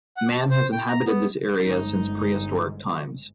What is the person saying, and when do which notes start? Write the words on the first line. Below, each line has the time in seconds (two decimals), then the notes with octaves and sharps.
Man has inhabited this area since prehistoric times.
0.17 F#5
0.32 A5
0.50 C5
0.72 G5
0.89 A#5
1.05 B3
1.62 G1 G#2 G#3 D#4